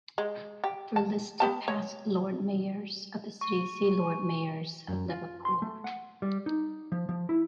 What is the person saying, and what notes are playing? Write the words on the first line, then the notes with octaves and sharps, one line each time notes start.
For list of past Lord Mayors of the city see Lord Mayors of Liverpool.
G#3
G4
A5
B3 G4 A5
C#5
C#6
F#2
F4
C6
A3
F#5
G3
D#4
F3
F3
E4